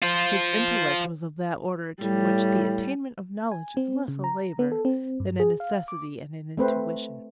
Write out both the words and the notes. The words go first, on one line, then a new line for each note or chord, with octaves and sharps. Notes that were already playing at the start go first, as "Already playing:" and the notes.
His intellect was of that order to which the attainment of knowledge is less a labor than a necessity and an intuition.
F4 C5
A2 G3
G#5
C4
C#3
A#5
B3
A4
C4
G2
G#4
F5
D6
A3 C4 B4 C5